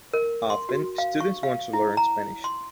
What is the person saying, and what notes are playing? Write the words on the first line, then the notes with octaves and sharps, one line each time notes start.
Often, students want to learn Spanish.
A#4
C6
F#4
F5
C#6
F5
E4
A#5
C6